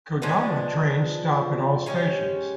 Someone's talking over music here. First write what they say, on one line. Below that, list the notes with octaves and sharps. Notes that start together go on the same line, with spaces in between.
"Kodama" trains stop at all stations.
F3 G#3 B3 D4
G#3 C#4 E4 G4